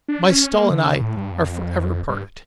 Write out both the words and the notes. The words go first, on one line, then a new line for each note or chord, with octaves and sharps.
My stall and I are for ever parted.
D4
C#4
A#3
D3
C#3
A2
G2
F2
G2